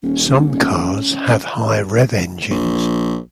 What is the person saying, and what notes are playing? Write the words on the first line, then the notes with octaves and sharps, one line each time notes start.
Some cars have high rev engines.
D#1 C#4
A#1